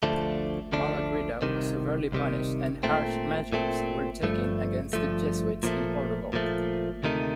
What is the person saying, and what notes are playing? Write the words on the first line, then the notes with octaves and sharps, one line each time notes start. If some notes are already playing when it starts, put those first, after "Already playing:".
Malagrida was severely punished and harsh measures were taken against the Jesuits in Portugal.
D2 D3 F3 A3 D4
D2 D3 F3 A3 D4
C2 C3 D#3
C2 C3 D#3
A#2 A3 C4
A#2 A3 C4
G2 F3 A3
G2 F3 A3
A#2 F3 A3
A#2 F3 A3
D2 C3 D#3 A3 D#4